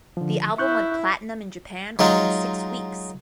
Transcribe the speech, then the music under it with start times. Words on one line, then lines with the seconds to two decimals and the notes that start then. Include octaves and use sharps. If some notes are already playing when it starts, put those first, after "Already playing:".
The album went platinum in Japan within six weeks.
0.17 D3 F3
0.58 E4 C#6 F#6 G6
1.99 F#3 G#3 D#4 F4